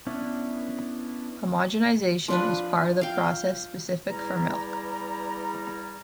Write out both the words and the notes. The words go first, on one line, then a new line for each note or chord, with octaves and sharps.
Homogenization is part of the process specific for milk.
B3 C#4 D4 E4
F3 D4 B4
F5 G5
E2 G3 E4 A#5